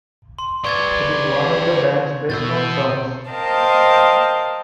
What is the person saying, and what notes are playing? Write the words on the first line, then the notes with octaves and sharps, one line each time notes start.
It is one of the band's best-known songs.
C6
B4 D5 C#6 G#6 A6
B2 E6 G6 A6
A#4 C5 D#5 F5 G5 A5